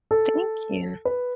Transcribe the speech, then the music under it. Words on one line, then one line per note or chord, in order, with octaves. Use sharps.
Thank you.
A4
B4